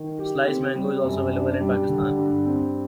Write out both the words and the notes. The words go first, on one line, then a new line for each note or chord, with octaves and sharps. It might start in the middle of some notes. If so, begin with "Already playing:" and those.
Slice mango is also available in Pakistan.
Already playing: D#3
G4
C4
G3
F#2
D4
G3
D3
G2
C4